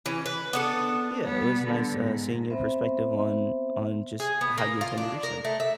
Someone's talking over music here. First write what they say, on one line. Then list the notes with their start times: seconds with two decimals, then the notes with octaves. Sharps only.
Yeah, it was nice, uh, seeing your perspective on on just how you intend to reach them.
0.06 E3 C#4
0.26 B4
0.53 B3 D4 A4
1.25 G3 B3
1.64 D3
1.95 G#2
2.50 B3 C4 C5 E5
4.20 G#4
4.41 B3
4.58 A#3
4.81 F4
4.98 D4
5.23 A#4
5.44 A3
5.60 E5